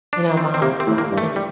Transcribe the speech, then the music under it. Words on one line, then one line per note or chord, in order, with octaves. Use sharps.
"You know, mom, um, it's
D4
C4
C4
C3 A#3
C4
A2
A#3
G2
A3
G3